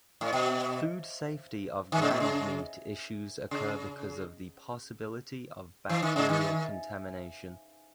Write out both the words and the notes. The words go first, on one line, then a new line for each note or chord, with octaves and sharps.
Food safety of ground meat issues occur because of the possibility of bacterial contamination.
A2
B2
D#3
C#3
B2
C#3
C#3
E3
D#3
C#3
D#3